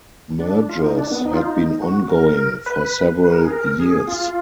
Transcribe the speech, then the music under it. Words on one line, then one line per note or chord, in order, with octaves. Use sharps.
Mergers had been ongoing for several years.
D4
F4
D#4
D4
B3
D#4
F4
D#4
F#4
A#4
B4
B4
A#4
G#4
A#4
G#4
F4